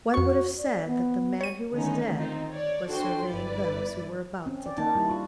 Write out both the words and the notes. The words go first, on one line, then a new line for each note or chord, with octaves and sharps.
One would have said that the man who was dead was surveying those who were about to die.
F2 F#4 C#6
D5
B3
C#5 D#7
D3 D#3 A3 B3 C#4 D#4
D#3 C4 D#4 F4
C#5 D5
D4 F#4 A4 C5 G5 C6
G1 E4 B4 D5
C4 C#4
D5
A#3 D#4 A5
G3 E4
F4 F#4